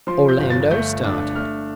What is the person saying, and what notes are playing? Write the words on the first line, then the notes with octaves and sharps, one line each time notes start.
Orlando started.
F3 C6
G6
G1
A6
A3 G6
D4
A3 F6